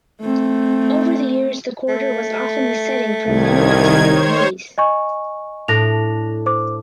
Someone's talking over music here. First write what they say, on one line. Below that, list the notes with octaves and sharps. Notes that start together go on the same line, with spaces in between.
Over the years the quarter was often the setting for many Italian movies.
A3 C4
A3
C2 D#3 G#6
C5 C#5
D#5 G#5 C#6
A2 D4 A4 A#6 F7
C5 D6